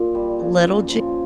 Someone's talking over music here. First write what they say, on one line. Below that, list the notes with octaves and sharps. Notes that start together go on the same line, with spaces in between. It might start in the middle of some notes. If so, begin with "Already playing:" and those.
Little J
Already playing: A#2
G3
C#3
C#3
F3